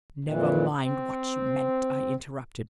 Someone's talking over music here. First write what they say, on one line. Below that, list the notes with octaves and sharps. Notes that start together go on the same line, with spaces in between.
"Never mind what you meant!" I interrupted.
F2 A#2 E3
C4